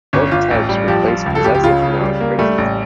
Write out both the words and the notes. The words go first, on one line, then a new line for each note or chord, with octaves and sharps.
Both types replace possessive noun phrases.
G1 C#4
G1 F4
A1
G3
F3 G4
F4
C#2
A4
C#2 G4
G4
C#3 F4
C#3
G3
A#3
G3 A3
A1